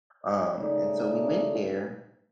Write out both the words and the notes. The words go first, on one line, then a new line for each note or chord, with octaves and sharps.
um, and so we went there,
C#3 A3 D#4 D5